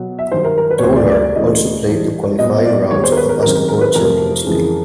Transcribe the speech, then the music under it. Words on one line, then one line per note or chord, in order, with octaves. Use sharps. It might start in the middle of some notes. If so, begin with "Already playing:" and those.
Donar also played the qualifying rounds of the Basketball Champions League.
Already playing: B2 F#3 B3
E5
G2 D#3 F#3 C5
A#4
A#4
B4
C#5
D2 C#3 E3 A3 C5
D5
D5
D5
D2 C#3 E3 A3 D#5
G2 E3 G3
A#2 F#3 B3 D#5
D5
D#2 D#3 G#3 B3 C#5
C5
A#4
B4
A#4
F#2 D#3 G#3 C4 A#4
A#4
A#4
B4
F2 C3 F3 A3 C4 A#4
F2 C#3 E3 G#3